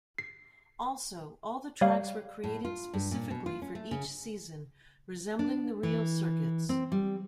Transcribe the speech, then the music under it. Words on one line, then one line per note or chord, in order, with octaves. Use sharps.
Also, all the tracks were created specifically for each season, resembling the real circuits.
C7
G3 C#5 F5
A2
F4
G2
A#2
B2
F4
C#4
A3
C#3
D4
E3
C4
G3